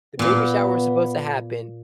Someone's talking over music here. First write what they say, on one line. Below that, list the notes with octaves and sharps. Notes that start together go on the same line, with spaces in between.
the baby shower was supposed to happen,
A#2 A#3 B3